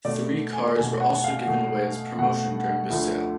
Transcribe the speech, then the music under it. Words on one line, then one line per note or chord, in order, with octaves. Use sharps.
Three cars were also given away as promotion during the sale.
B2 A3 D5
G#5
B2 A3 G#5
F#5
F5
B2 A3
B2 A3 F#5
D2 D3 F3 A3